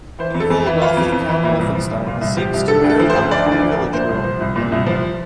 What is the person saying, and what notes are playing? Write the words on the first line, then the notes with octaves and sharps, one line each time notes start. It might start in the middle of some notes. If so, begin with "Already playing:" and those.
Evil, wealthy Count Wolfenstein seeks to marry the lovely village girl, Amina.
E3 C5
F2
A4
F2
E3
E3 F4
F2
F2
E3
A#2 E4
C2
F3
C2
A#2 F4
C2
F3 G4
C2
D3 A4
D2
A4
F3
C5
D2
D3 D5
D2
D5
F3
A#4
D2
A#2 C5
C2
F3
C2
A#2
C2
F3